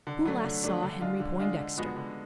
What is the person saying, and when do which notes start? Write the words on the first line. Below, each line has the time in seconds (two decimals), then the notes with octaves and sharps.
Who last saw Henry Poindexter?
0.07 D3
0.25 F#3 A3 D4
0.44 D3
0.63 F#3 A3 D4
0.82 D3
1.01 G#3 D4 F4
1.20 D3
1.39 G#3 D4 F4
1.58 D3
1.77 F3 G#3 B3 F#4
1.96 D3